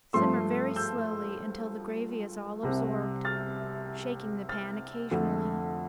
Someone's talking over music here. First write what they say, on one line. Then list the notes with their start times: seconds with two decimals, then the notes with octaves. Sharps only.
Simmer very slowly until the gravy is all absorbed, shaking the pan occasionally.
0.13 G2 F3 A3 C6 E6
0.76 E6 G6
2.63 C2 C3 G3
3.25 F6 A6
4.49 F6 A6
5.11 F2 D3 A3